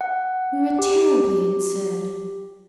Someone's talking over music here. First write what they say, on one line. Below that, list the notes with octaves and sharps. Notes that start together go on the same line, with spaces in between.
We were terribly absurd.
F#5
G4